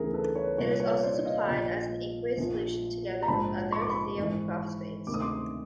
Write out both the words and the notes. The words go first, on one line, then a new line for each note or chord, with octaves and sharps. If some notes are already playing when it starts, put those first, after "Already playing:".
It is also supplied as an aqueous solution together with other thiophosphates.
Already playing: D2 C#3 E3 G#4 A#4
A4 B4
B4 C#5
C2 A#2 F3 B4 C#5
B4 C#5
C5 D5
D#5 F5
A#1 A#2 F3
A#1 A#2 F3
A#5
A#1 G#2 F3 A5 B5
C#6
D6
B5 C#6
G#1 G#2 E3
D2 C3 D#3 D6
D#6
C6 D6